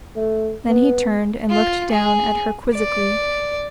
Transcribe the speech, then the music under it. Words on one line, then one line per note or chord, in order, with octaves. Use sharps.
Then he turned and looked down at her quizzically.
A3
B3
F4
G#4
D5